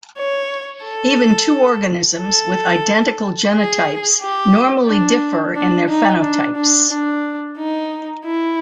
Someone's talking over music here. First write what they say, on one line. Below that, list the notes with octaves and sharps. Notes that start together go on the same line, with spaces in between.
Even two organisms with identical genotypes normally differ in their phenotypes.
C#5
A4
A4
G#4
G4
D4
D4
D#4
D4
D4
D4
D#4
E4